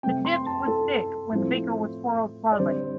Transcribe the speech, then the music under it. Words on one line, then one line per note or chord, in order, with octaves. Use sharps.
The tips would stick when the beaker was swirled slowly.
C3 A3 C4 G5
C6
A5
A4
A2 F3 C4
D5
D3 G3 C4 C5